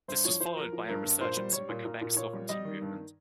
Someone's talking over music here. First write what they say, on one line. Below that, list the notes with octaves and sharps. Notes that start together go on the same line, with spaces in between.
This was followed by a resurgence in the Quebec sovereignty movement.
G2 C5
F3 C#5
F3 C5
F3 A#4
F3
G2 A#4
G2
A#2 C5
G3
G3 C#5
A#2
A#2 A#4
A#2
A#2 C#5
G3
G3 D#5
D#3
G2